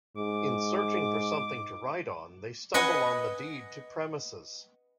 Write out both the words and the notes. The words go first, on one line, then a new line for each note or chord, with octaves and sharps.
In searching for something to write on, they stumble on the deed to premises.
G#2 D6
B4 D#5 F#5 G#5